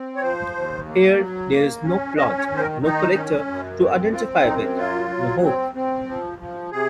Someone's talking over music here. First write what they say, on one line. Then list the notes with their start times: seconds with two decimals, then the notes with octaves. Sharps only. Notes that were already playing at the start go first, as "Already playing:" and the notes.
Here there is no plot, no characters to identify with, no hope.
Already playing: C4
0.16 C#5
0.22 F3 C5
0.54 D#2
0.88 A#3
1.19 F#3
1.52 A#3
1.84 C#4
2.17 C#4 D#5
2.38 C#5
2.50 D#3
2.56 C5
2.60 A#4
2.82 D#3 D#4
3.15 C#4
3.47 F#2
3.79 C4
4.12 C4 F4
4.44 F#2 D#4
4.76 F#3 F4
5.09 F#3
5.42 C4
5.75 C4
6.07 F3
6.38 F3
6.71 C3 G#4